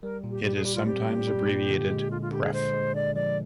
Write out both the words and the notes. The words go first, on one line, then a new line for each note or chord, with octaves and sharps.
It is sometimes abbreviated "pref".
G3 A#4
A#2
G4
G3 G4
G#4
G3 G4
F4
C4 G4
A#2
G3
A#2
D3
G#3
D3 F4
F4
D3 G4
G#4
G#3 C5
G#3
D3 D5
F3 D5